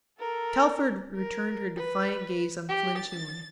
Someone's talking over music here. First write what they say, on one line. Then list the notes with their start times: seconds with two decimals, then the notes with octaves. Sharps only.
Telford returned her defiant gaze unflinchingly.
0.19 A4 A#4
1.16 A#4
1.77 B4
2.69 G4
2.99 A6